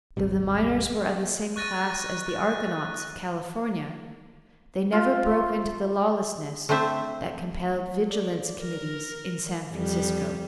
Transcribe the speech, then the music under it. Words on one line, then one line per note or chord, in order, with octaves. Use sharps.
Though the miners were of the same class as the 'argonauts' of California, they never broke into the lawlessness that compelled vigilance committees in San Francisco.
D#1 G#1 C3 G3
C#6 F#6 A6 A#6 D#7
F#6
F4
A3 C4 D4 C5 E5
D5
A#4
F2 G3